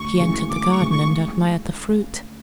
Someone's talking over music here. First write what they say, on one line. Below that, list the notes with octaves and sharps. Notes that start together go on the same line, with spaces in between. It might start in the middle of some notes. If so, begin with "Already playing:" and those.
She entered the garden and admired the fruit.
Already playing: D2 C#6
C#3 E3 G#3
D2 D6
C#6
C#3 E3 G#3
C#6